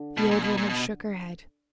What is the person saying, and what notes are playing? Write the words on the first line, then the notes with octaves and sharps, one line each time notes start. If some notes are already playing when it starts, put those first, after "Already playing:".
The old woman shook her head.
Already playing: D3
B2
A#2
B2
A#2
B2